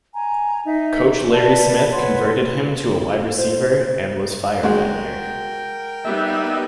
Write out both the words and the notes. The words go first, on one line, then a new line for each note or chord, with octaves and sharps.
Coach Larry Smith converted him to a wide receiver and was fired that year.
G#5 A#5
D#4 E5
B4 D5 A5
B4 C#5 F#5 C6
C5
G#3 F#4 A#4 G5
G3 B3 D#4 E5